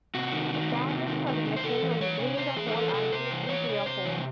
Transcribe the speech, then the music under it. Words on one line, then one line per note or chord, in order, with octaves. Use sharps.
The tagline for the machine was Bring the whole arcade into your home!
C3 F#4
D#3
D#3
C3
C3
D#3
D#3
C3
C5
C3 A4
E3
E3 C#5
C3
C3 C5
E3 G#4
C5
E3 A4
C5
C3 A4
C3 C5
E3
E3 C#5
C3
C3 C5
E3